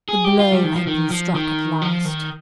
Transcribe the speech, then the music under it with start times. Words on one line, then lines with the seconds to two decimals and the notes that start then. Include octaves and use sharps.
The blow had been struck at last.
0.09 G#4
0.24 G4
0.40 F4
0.52 G3
0.64 D#3
0.76 F3
0.87 D#3
1.10 F3
1.35 D#3
1.82 F3
2.05 D#3